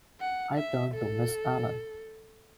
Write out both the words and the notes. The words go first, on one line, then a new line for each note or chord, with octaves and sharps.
I turned to Miss Allen.
F#5
E5
A4